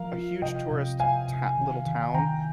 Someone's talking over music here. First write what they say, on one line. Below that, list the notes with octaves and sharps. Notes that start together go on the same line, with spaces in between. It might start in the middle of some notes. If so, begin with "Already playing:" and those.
a huge tourist, eh, tow little town,
Already playing: F3 A#4 F5
F4
C3 D#5 G5
C3
C3 F5 G#5
C3
D#3
D#3
D#3 G5 A#5